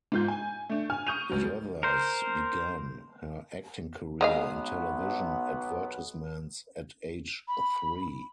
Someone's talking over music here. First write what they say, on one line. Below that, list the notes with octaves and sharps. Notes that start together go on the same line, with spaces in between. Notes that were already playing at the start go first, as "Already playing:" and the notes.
Yothers began her acting career in television advertisements at age three.
G#2 F4 G6
G#5
A3 D4
G#5 F6
C#6 D#6 G6 D#7 F7
C#2 F#3
A#4 C5
B1 G#3 B3 D#5 F5
B5